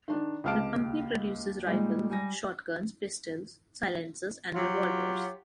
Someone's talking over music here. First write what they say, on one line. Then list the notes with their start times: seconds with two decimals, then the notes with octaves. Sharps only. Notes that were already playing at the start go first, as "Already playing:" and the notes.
The company produces rifles, shotguns, pistols, silencers and revolvers.
0.08 D#3 D4
0.44 C#2 C3 F5 A5 F6 D7
0.74 D#2
1.66 A#2 G3 G#3 D#4
2.10 G3 G#5 A#6
4.55 F#3 F4 G4